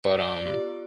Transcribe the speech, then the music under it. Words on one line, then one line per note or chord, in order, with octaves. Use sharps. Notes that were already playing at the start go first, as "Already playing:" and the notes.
But, um,
D5
B3 F4 G4